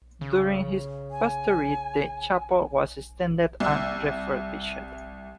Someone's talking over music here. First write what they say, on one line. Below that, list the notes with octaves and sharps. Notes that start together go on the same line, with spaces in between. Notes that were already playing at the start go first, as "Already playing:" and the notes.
During his pastorate the chapel was extended and refurbished.
C#3
G#5
C2 E6